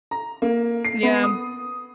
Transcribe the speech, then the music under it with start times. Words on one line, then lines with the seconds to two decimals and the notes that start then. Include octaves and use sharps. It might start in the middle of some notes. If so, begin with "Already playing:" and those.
Yeah, um
0.11 A#5
0.42 A#3
0.85 C7
1.03 B3
1.23 D#6